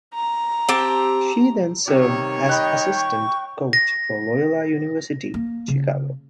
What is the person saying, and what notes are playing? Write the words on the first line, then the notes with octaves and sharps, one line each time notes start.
She then served as assistant coach for Loyola University Chicago.
A#5
C4 G4 A5
C3 D#3 G3 C#5
D#5 G5 B5 F#6
C#6
A#6
A#3
C#3